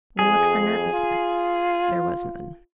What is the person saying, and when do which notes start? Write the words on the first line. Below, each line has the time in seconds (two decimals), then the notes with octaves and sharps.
We looked for nervousness--there was none.
0.19 F2 G#4
0.93 F4